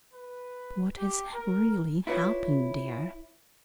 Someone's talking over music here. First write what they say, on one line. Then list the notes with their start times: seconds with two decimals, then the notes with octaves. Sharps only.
What has really happened, dear?
0.13 B4
0.97 G4
1.34 A#4
2.07 E4 F4 B4 C#5 D5